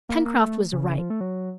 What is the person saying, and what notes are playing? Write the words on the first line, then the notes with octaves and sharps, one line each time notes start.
Pencroft was right.
A#3
A#3
A3
C#3
C#3
F3
A3
F#3